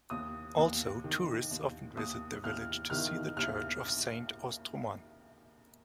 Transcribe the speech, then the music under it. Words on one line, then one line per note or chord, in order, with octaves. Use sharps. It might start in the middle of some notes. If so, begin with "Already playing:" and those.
Also, tourists often visit the village to see the church of Saint-Austremoine.
D#2 D#6
D#2
D#3
D#2
D#2 D#6
D#2 F6
D#3 F6
D#2 F6